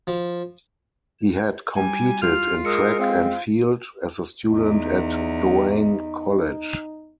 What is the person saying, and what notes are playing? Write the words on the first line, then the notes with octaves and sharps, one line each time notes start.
He had competed in track and field as a student at Doane College.
F3
G3 G#5
F4 F6
G#3 A#4 D#6 E6 C#7
C4 C5 F5
E2 D#4